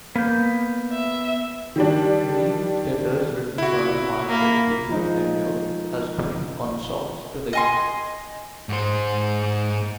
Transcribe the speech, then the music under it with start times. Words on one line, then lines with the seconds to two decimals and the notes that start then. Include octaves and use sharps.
Many letters, written by Margaret during her tenure as queen consort, still exist.
0.16 A#3 B3 G6
0.92 E5
1.76 D#3 G3 D4
3.58 E4 F#4
4.28 A#3 B5
4.89 F3 G#3 D#4
7.53 D#5 G#5 C6
8.69 G#2 C5